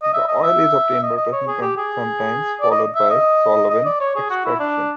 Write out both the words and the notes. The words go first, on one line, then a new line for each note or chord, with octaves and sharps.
The oil is obtained by pressing, sometimes followed by solvent extraction.
D#5
E5
D#5
E5
D#5
D#5
C#5
G#4
G4
G#4
D5
D#5
E5
D#5
D#5
D5
C#5
G#4
F#4
E4
D4